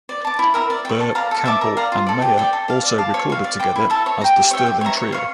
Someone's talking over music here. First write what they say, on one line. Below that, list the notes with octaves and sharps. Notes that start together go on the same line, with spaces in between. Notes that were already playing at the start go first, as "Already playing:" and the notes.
Burr, Campbell and Meyer also recorded together as the Sterling Trio.
D5
A5 D6
E4
A#4 E5 A#5
D5
G5
C#6
A4
D5 F5 A#5
A4
E5 A5 D6
A#4
D5 F5 A#5
F4
A4 D5
G4
D5 G5
A4
D5 F5
D5
F5 A5 D6
C#5
F5 C#6
D5
G5 D6
E4
A4 E5 A5
C#5
G5 A#5
G4
C#5 E5 G5
G4
C#5 E5 A#5
C#5
F5 C#6